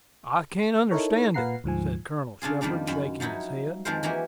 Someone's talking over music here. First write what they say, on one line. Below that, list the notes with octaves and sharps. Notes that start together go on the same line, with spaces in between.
"I can't understand it," said Colonel Shepard, shaking his head.
D#4 E4 A4 A#4 C#5
A#2 B4 F5 F#5 A#5 C7
D2 G#2 F3 G#5
C#3 D4 F4 G#4
F2 D#3 G3 A#3 D4
F#2 B5
F3 F#3 D#4 E4
F2 D#3 F3 G#3 A#4 C5
E3 F#3 A#3 E4 G4